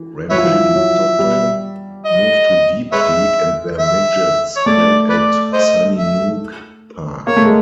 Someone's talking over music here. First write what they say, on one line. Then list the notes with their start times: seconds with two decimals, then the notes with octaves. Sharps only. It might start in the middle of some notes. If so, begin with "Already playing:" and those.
Rangitoto moved to Deep Creek and their midgets played at Sunnynook Park.
Already playing: E3
0.31 F#3 B4 C#5 E5
0.38 F3
0.45 E3
0.52 F3
0.75 F#3
1.19 G3
2.05 D#5
2.92 G#3 B4 C#5 E5
3.79 E5
4.56 C#5
4.66 A3 D5
5.09 B4 D5
5.53 C5 D#5
5.97 E5
7.27 A#3 C#5
7.37 A3
7.45 G#3